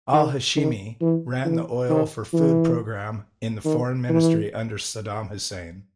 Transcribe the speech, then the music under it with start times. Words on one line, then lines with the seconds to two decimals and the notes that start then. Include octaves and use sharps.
Al-Hashimi ran the oil for food programme in the Foreign Ministry under Saddam Hussein.
0.13 D#3
0.57 D#3
1.01 E3
1.45 E3
1.90 D#3
2.33 E3
3.65 D#3
4.09 E3